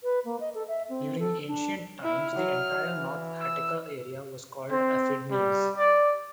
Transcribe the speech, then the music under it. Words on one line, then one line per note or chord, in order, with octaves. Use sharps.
During ancient times, the entire north Attica area was called "Afidnes".
B4
A#3
D#5
A4
E5
C4
A4
D4
E4 F6
F#3
E3
E6
C4
G3
D5